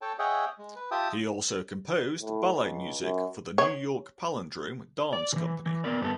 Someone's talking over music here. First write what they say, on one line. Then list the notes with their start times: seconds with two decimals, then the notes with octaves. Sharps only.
He also composed ballet music for the New York Palindrome Dance Company.
0.02 A4 C#5 G5 A5
0.19 G#4 C#5 D#5 E5 F#5 G5
0.58 G#3
0.76 B4
0.91 F4 G4 E5 G5 A5 D#6
2.23 A2
2.53 C#2
3.01 F#2
3.58 C#5
5.13 D5
5.33 C#3 E3
5.66 E3
5.84 B3 A#4 D5
6.01 G2 B3 A4